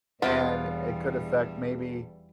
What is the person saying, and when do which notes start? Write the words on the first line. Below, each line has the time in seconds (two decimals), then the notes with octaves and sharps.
and it could affect, maybe,
0.22 E1 E2 C3 E3 G3 B3 C4 F4